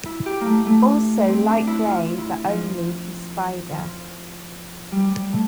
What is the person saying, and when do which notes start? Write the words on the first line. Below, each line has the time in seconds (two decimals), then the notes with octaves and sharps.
Also light-grey but only for Spider.
0.05 E4
0.26 G4
0.41 A3 A#3
0.66 A3
1.27 C4
1.47 D4
1.67 E4
1.88 F4
2.18 E4
2.48 F3
3.70 F3
4.92 G3
5.12 G3
5.33 A3